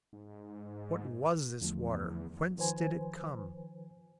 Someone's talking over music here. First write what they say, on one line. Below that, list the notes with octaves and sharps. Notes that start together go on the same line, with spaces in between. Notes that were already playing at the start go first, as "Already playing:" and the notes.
What was this water, whence did it come?
G#2
E2 D3 F3 A3
D#3 F3 B4 C5 G#5